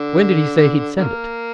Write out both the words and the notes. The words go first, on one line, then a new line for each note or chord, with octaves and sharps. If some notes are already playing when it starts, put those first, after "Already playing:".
"When did he say he'd send it?"
Already playing: D3
D3 A#3